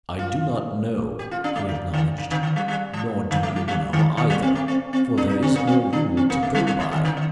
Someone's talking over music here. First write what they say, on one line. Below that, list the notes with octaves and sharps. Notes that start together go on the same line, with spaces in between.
"I do not know," he acknowledged; "nor do you know, either, for there is no rule to go by."
F4
G4
F4
D4
A3
D3
D#3
D3
D3
D#3
G3
G3
F3
D3
A3
A3
G3
D#3
D#3
G3
C4
A3
C4
C4
D4
D#4
C4
A#3
C4
D4
C4
A#3
A3
G3
G3
F3
D#3
D3
D#3